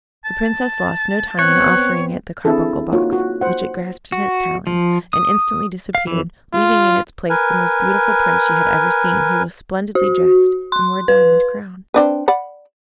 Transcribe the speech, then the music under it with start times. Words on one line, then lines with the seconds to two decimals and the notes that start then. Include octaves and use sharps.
The Princess lost no time in offering it the carbuncle box, which it grasped in its talons, and instantly disappeared, leaving in its place the most beautiful Prince she had ever seen, who was splendidly dressed, and wore a diamond crown.
0.25 A5
1.39 B3 C4 C#5 F#6
2.45 C4 D4 E4 G#4 A4
2.92 A#3 D#4 F4 F#4 C#5
3.13 F#4
3.41 C5 F#5
4.12 F#4
4.67 F3
5.13 D#6
5.95 F5
6.07 E3
6.54 F4
7.30 A#4 B4 G#5
9.95 F#4
10.72 C6
11.08 B4
11.94 C4 D4 B4
12.28 D5 F#5 B5